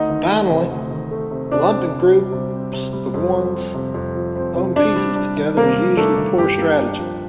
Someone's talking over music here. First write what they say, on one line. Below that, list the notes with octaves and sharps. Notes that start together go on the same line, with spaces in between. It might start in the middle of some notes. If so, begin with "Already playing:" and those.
Finally, lumping groups of one's own pieces together is usually poor strategy.
Already playing: D2 D#4 D#5
D#3
A3
C3
D2
D#3
A3
C3
C3 D4 D5
C4
C3
G3
C3
C4
C3
G3
F2
F3
C4
C3
F2
F3
C4
C3
C3 D4 D5
G3
D4
D#3
C3 A#3 A#4
G3
A3 D4 A4
D#3
G2 G4
A#3
D4
F3